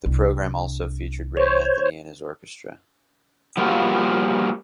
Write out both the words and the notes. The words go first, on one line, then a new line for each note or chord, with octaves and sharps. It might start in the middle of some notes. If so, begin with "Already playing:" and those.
The program also featured Ray Anthony and his orchestra.
C2 D4
C5 C#5
F3 G3 A#3 F4 F#4